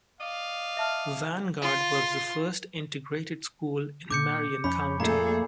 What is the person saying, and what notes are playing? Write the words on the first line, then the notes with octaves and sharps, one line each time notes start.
Vanguard was the first integrated school in Marion County.
D5 D#5 F5
E5 A5 F6
F4 C6
A#2 D3 D6 G6 C#7
F2 C#4 B5 G6
A#2 A3 G#4 A4 A#5 C7